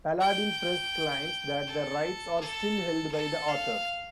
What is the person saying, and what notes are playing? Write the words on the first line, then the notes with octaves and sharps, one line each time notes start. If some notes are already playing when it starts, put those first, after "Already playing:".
Paladin Press claims that the rights are still held by the author.
G5
A4
A4
A4
F5